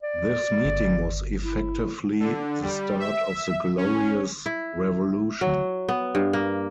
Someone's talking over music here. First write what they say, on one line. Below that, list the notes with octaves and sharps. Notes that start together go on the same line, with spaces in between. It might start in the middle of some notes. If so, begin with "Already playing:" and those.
This meeting was effectively the start of the Glorious Revolution.
D5
G1
E4
D3
G3
E5
C#4
E4
F#3
B3
G2
A#3